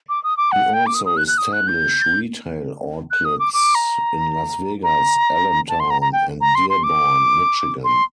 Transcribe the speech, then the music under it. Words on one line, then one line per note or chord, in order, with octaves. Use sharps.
He also established retail outlets in Las Vegas, Allentown, and Dearborn, Michigan.
D6
D#6
D6
F#5
G5
D6
D#6
D#6
F#6
F#6
D#6
F#6
G6
F#6
D#6
D6
D6
A#5
A#5
A5
C6
A#5
A#5
G5
A#5
C6
C6
D6
C6